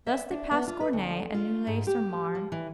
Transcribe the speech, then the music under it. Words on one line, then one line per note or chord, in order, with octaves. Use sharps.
Thus they passed Gournay and Neuilly-sur-Marne.
E5
D4
B3
F4
B4
D2
F4
G#2
G4
F3
E3